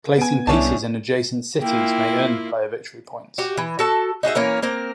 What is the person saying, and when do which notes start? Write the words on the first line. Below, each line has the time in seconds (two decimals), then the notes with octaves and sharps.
Placing pieces in adjacent cities may earn the player victory points.
0.18 B3 G#5 D7
0.47 C2 A2 C#4 D4 E4 A5
1.61 A#3 E4 F4 G5
3.38 F#4 G4
3.57 E3
3.79 F#4 A4 A5
4.23 D#4 F#4 G#4 E5
4.35 E3 A#3 C#4 A#4
4.62 A#3 C4 A#4